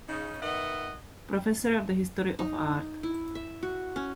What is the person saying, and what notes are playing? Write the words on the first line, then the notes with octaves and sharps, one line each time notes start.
Professor of the History of Art.
C#3 D#4
D#3 B3 D#5 E5 F#5
D#4
E4
E5
F#4
C#4